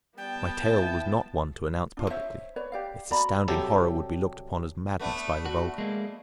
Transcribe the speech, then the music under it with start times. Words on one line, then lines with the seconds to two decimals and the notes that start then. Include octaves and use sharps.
My tale was not one to announce publicly; its astounding horror would be looked upon as madness by the vulgar.
0.18 G3 B3 G5 A5
0.62 E4
1.97 D4 F4
2.10 C5 C#5 E5
2.56 B4 C#5 D5
2.72 G4 D5 F5
3.10 F#4 D5 A#5 B5
3.48 C3 F#3 G3 G4 A4
5.00 A3 B3 D4
5.45 F#4
5.78 G#3 A#3